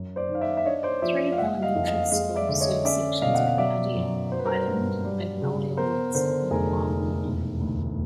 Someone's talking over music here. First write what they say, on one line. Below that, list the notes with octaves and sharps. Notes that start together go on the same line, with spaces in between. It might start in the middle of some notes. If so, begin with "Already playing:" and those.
Three elementary schools serve sections of Gardere: Highland, Magnolia Woods, and Wildwood.
Already playing: F#2
C5 D5
D#3
F5
D5 E5
E5
D4 C#5 D#5
C5 D5
F3 D5 E5
F5
F#1 E5 F#5
D#5 F5
F2
D#5 F5
G#3 D#5 F5
D5 E5
D3 D5
C#5 D#5
C#4 D5 E5
B2 D#5 F5
F#5
F5
F#3 D5 E5
F#2
F#3 C5
B4
A#4 C5
G2
G3
C#3
B3 A#4 C5
D3 A#4 C5
F1 G#4 A#4
D#2
E1
D2